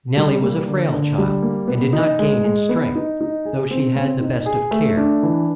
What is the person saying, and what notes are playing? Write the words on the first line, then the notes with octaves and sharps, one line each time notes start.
Nel-lie was a frail child, and did not gain in strength, though she had the best of care.
G3
A#3
D3
D3
G3
A#3
B3
D#4
G#3
G#3
B3
D#4
D#4
G#4
C4
C4
D#4
G#4
A3
D4
E3